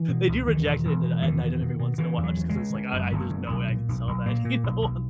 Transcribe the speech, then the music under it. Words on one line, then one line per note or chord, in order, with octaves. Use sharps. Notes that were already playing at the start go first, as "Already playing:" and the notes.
they do reject it in that at night and every once in a while just 'cause it's, like, "I I, there's no way I can sell that, you know,
Already playing: E3
B2
C#2
E2 D#3
E1
E1
B2
E2 D#3
B2
B2
B2
C#3 E3
E2
F#3
C#3
G#3
C#3
C#3
F#1
F#1
C#3
B1
A#2
B1
B1
A#2 A#3
A#2
B1
B1